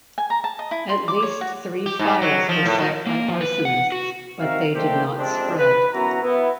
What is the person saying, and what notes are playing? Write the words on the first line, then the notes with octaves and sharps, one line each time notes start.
At least three fires were set by arsonists, but they did not spread.
G#5
A#5
A5
D#5
E4
C6
D6
C#5
F#4
G4
G#2
F#3
F3
A2
D#3
A#3
F3
B4
F#5
F#4
C4 D#4 F#4 A#4 E5 F5
A3 A#3 C4 D4 G4
F2 C3 G#3 C4 D4
B4
F#2 B3 E4 F#4 A#5
B3 E4